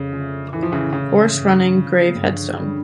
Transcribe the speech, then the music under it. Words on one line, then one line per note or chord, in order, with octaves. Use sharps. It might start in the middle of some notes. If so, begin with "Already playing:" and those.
Horse running, grave headstone.
Already playing: F2 C#3
D3 A3 C#4 F4
A2 E3
F3
C#3 E3
C#3 E3 A3
G2
D3 F3 C#4 F4
G2
D3 G3 D4